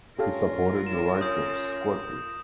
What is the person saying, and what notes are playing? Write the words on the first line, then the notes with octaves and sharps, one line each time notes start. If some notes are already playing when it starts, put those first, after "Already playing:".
He supported the rights of squatters.
C#4 F4 G4 A4 A#4 F5
C#4 E7
C#5 D#6 G6